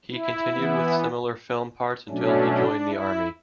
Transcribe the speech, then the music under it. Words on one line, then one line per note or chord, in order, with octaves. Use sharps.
He continued with similar film parts until he joined the army.
E4
E3 B3
B2 F#3 A3 C#4 D4
E4